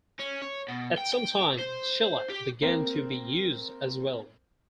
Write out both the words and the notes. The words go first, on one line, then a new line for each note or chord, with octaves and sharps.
At some time, shellac began to be used as well.
C#4
C#5
B2
G5
G5
C5
G4
A#3 C4 A#4 C5